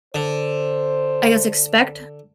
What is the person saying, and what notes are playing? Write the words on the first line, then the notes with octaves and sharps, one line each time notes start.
I guess, expect
D3 C5